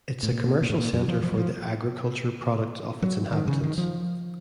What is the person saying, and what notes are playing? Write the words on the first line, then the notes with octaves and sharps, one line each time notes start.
It's a commercial center for the agriculture products of its inhabitants.
A2
A#2
A#2
A2
A#2
F#2
F3
F3
F#3
F3
F#3
D#3
C#3
D#3
F3